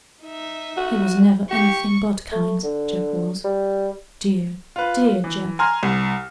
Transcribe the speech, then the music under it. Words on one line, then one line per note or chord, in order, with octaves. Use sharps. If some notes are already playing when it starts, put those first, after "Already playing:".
He was never anything but kind--Jack was--dear, dear Jack!
D#4 E5
F#4
G4 C#6 C#7
A3
D3
G3
F4 B4
E3
G#5 A#5 C6 F6
C2